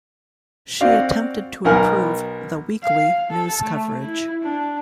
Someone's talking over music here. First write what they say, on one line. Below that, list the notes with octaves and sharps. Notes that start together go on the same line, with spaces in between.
She attempted to improve "The Weekly" news coverage.
C4 F#4 D5 F5
B1 B3 A#4 F#5 G#5 F6
F5
A4
A3
E4
D4